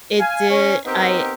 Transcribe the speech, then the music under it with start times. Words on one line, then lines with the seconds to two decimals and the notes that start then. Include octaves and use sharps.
it did I
0.20 F5 G#5
0.49 C#4
0.85 B3 C4 D#4 G4 A#4